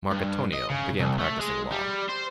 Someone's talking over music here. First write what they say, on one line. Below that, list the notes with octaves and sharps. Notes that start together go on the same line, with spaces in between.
Marcatonio began practicing law.
G2
D#5
C#3
C2
A3
G#3
G3
C5